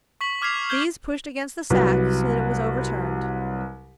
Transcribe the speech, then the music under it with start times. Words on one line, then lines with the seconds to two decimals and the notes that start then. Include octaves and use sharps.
These pushed against the sack so that it was overturned.
0.21 C#6 B6 F#7
0.42 D6 F6 G#6 B6 C7 F7
0.70 G6 G#6 G7
1.70 C2 F#3 B4